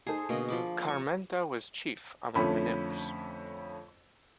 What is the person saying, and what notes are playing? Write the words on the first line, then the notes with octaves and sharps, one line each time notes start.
Carmenta was chief among the nymphs.
D#4 G#4 A4 C5
B2 D3 A#3 D#5
F3 B5 D6
C#6
F2 D3 A3 C#4 B5